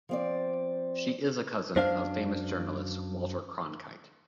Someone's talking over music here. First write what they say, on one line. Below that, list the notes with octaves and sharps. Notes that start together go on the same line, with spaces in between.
She is a cousin of famous journalist Walter Cronkite.
F3 C4 D5
F#2 D4 C5 F5